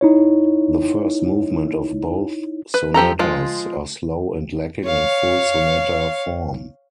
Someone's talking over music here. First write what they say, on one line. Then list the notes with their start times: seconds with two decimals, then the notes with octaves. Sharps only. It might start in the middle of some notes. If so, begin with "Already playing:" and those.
The first movement of both sonatas are slow and lacking in full sonata form.
0.01 D#4 E4 C#5
2.74 B4
2.94 F3 G4 A4 A#5
3.19 F3 G#3 F4
4.85 C#5 F5